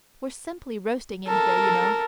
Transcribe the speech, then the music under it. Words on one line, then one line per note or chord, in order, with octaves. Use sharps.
"We're simply roasting in here, you know."
A4 A#4